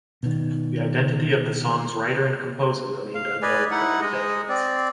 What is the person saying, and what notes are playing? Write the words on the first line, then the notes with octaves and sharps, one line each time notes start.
The identity of the song's writer and composer remained unknown for many decades.
B2 D#3
F5
B4 D5 D#5 G#5
D#4 E4 F#5
G#3 D#5
C4 D5